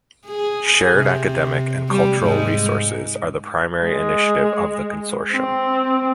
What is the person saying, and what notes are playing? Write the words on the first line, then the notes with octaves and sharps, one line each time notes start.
Shared academic and cultural resources are the primary initiative of the consortium.
G#4
C3
G3
G#2
G#3
C4